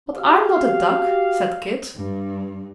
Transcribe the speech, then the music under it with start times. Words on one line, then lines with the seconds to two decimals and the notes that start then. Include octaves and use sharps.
"But I'm not a duck," said Kit.
0.14 F#4 G4 F5
1.96 G2